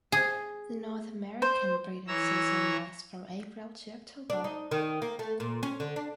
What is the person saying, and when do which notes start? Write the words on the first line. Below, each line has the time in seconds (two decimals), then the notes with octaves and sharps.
The North American breeding season lasts from April to October.
0.12 G#4
1.42 C5
2.07 E3 C#5 A#5 E6
4.30 D4
4.44 D#4
4.71 D#3
5.02 A#3
5.19 A3
5.40 A#2
5.63 C#4
5.80 D3
5.96 D4